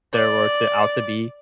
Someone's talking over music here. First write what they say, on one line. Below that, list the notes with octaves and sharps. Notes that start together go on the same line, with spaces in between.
they were to out to be
D5